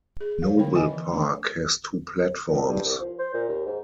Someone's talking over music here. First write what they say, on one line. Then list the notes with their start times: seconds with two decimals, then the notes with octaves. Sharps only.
Noble Park has two platforms.
0.21 G#4
0.42 C#5 F5
0.57 D3 D#3 B3 A#4 G5 B5
0.75 B4 D#5 E5 G5 G#5 B5
0.93 E3
1.11 A3 D4 D#4
2.48 A#2
2.68 G2
2.85 C2
3.00 F3
3.19 C5
3.34 A#2
3.49 D#2
3.66 G#2